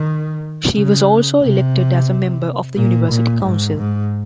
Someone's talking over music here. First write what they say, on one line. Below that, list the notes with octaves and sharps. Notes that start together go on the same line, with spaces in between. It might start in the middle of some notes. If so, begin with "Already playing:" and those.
She was also elected as a member of the University Council.
Already playing: D#3
C#3
C3
A#2
A#2
G#2
G#2